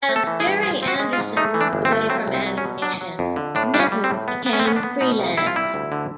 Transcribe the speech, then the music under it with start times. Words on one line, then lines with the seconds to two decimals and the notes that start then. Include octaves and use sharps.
As Gerry Anderson moved away from animation, Mitton became freelance.
0.09 A3
0.16 A4
0.27 E3
0.40 G#4
0.46 G2
0.63 F3 G#4
0.83 C4
0.88 F#4
1.00 G#3
1.13 F4
1.18 G#2
1.37 A3 D#4
1.54 E3
1.61 D4
1.73 G1
1.85 C4
1.91 A3
2.09 F#3 C4
2.28 C2
2.34 C4
2.46 F#3
2.57 C#4
2.64 B2
2.82 F#3 D4
3.01 F#3
3.19 F2
3.36 D3
3.55 A2 D4
3.74 G3 D4
3.79 C#4
3.92 G3
4.04 C4
4.10 A2
4.28 B3
4.46 B3
4.53 C#4
4.59 C4
4.65 B3 C#4
4.76 D4
4.83 B3
5.01 B2 D#4
5.20 C2
5.37 C2 E4
5.47 F4
5.56 G3 E4
5.74 D2
5.92 D3